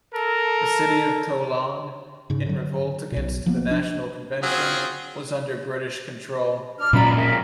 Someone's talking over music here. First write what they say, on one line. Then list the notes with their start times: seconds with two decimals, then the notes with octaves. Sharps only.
The city of Toulon, in revolt against the National Convention, was under British control.
0.12 A4 A#4
2.30 G#2 C#3
2.46 D3 F#3
3.12 B1 B2
3.46 F3 F#3 A#3 B3
3.71 D4
4.43 F#3 C4 C#4 F4 G#4
6.77 D4 F6
6.93 A#2 F#3 C#4 D5 A#5 B5
7.17 A#4 E5